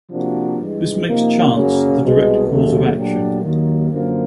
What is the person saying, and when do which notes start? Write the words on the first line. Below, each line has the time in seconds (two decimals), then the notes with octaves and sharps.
This makes chance the direct cause of action.
0.10 C3 F3 A#3 D4 F#4
0.57 G2 E3 G#3
1.05 C3 F3 A#3 D#4
1.52 F#2 C#3 F#3 A#3 C#4
2.00 C2 B2 G#3
2.47 D#2 C#3 F#3 A3
2.94 A#2 F#3 A3 D4 G4
3.42 D#2 D#3 F#3 A#3
3.89 F#2 D3 F3 A#3